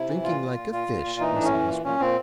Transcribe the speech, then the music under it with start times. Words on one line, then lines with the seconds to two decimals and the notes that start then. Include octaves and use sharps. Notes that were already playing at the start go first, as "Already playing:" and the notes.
'Drinking like a fish,' Bessie whispered.
Already playing: C3 E4
0.08 E3
0.24 A#2 F4
0.40 A#2
0.56 A#2
0.72 A#2 F4
0.88 A#2
1.04 A#2
1.20 E3 D#4
1.35 A2 D4
1.44 C#4
1.52 E3
1.68 A#2
1.84 A#2 C#4
2.00 A#2 C4